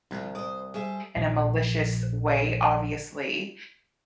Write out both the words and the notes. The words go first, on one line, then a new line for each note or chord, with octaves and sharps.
in a malicious way, obviously."
C2 D3 F3 F4
C5 D5 D#6
G3 G#4 A4 C5 E5
A#1 F3